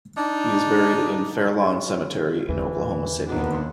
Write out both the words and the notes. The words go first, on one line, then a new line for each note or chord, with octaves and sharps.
He is buried in Fairlawn Cemetery in Oklahoma City.
D4 D#4
E2 E3
D#2 B3 D4 D#4